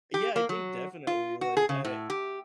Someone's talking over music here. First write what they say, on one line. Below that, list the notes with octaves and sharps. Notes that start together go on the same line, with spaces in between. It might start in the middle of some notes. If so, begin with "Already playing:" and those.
Yeah, I think definitely. Like, I
G4
A#3
F#3
F4
F#4
G#4
C#3
A2
G4